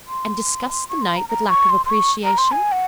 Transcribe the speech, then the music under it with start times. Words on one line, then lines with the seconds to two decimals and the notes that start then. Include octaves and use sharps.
"And disgust the night with lack of appreciation?"
0.07 C6
0.89 C#6
1.02 C6
1.17 A#5
1.29 A#5
1.49 C#6
1.70 C6
1.86 C6
1.90 C#6
2.24 A#5
2.38 C6
2.52 G#5
2.72 F#5